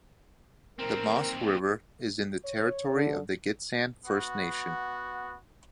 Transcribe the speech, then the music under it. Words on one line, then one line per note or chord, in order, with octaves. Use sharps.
The Mosque River is in the territory of the Gitxsan First Nation.
D#2 C4 A#4
C#5
D3
B3 F#4